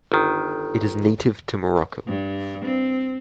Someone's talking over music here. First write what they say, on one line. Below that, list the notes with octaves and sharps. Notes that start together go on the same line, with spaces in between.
It is native to Morocco.
G1 D#3
G2
C4